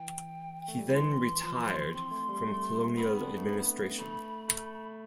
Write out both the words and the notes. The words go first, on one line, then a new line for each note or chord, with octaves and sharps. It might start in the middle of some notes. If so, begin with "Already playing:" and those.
He then retired from colonial administration.
Already playing: E3 G5
A3
G3
F3 B5
E3 C6
F3
C4 C6
A3
G3
A3
B3 B5
C4
B3
D4
A3
B3
A3 B5
A3